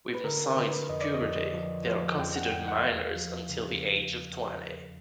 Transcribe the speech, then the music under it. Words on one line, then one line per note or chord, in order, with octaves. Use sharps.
With no signs of puberty, they are considered minors until the age of twenty.
B4
D3 A#4
D3 B4
F2 D#5
D5
D#5
F2
F3
F3
F2 G5
F#5
F2 G5
F#5
E2 F5
F3
C#3